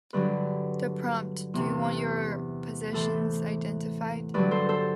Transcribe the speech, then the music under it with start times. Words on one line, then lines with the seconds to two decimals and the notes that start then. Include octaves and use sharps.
The prompt Do you want your possessions identified?
0.13 G2 D3 F#3 B4 D5
1.54 E2 C3 E3
2.92 A2 E3 A4 C5
4.34 G2 D3 F#3 B4 D5
4.51 A4 C5
4.69 A4 C5